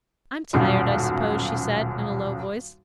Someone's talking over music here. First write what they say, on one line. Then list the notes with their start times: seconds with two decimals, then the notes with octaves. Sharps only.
"I'm tired, I suppose," she said, in a low voice.
0.53 D#1 B1 F#2